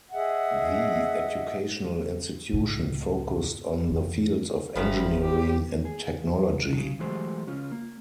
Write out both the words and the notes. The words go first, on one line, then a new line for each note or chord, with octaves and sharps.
The educational institution focused on the fields of engineering and technology.
G#4 D#5 E5 F#5
C#2 A2
F2 E3
G1 E2 G#2 F3 G5 B5
G4
G#4
E2
C#3
E3 F#3 G#3 A3 G4 C5
C#2 C#4 F4
A#3